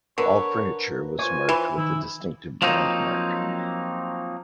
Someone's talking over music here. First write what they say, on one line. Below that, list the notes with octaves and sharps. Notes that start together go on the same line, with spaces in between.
All furniture was marked with the distinctive brand mark.
D3 A#4 B4 C#5
F4 C5 C#5 G#5
E3
D#3 E4
F3 F#3 A#3 C4 D#4